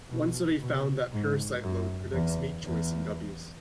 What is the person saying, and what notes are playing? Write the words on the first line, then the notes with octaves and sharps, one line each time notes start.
One study found that parasite load predicts mate choice in guppies.
B2
B2
G#2
F#2
E2
E2